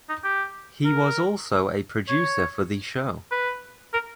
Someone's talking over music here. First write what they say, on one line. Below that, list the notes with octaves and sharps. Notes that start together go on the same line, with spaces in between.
He was also a producer for the show.
D#4
G4
A#4
C#5
B4
A#4